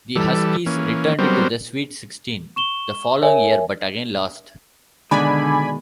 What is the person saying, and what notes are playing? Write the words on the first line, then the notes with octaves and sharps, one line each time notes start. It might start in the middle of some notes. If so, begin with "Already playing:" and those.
The Huskies returned to the Sweet Sixteen the following year, but again lost.
E3 G3 A4
E3 A#3 C#4
F#3 G3 B3 C4 A#4 C5
C#6 E7 G7
A#4 C#5 E5 G#5
B2 D3 D#3 G#3 D5 G#5 B5